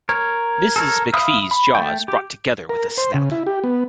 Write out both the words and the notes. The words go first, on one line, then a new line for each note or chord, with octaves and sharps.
Mrs McFee's jaws brought together with a snap.
A#4 C#5
A4 A#4 C#5
E5 F5 B5 D#6 E6
B5
A3 G5
G4
A#4
C5
C#3
E4
G4
B3